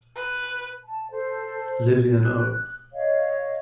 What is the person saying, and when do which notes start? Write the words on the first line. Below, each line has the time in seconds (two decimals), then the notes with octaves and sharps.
Levy and O.
0.16 B4
0.85 A5
1.11 A4 C5
2.19 F#6
2.93 C#5 D#5 F5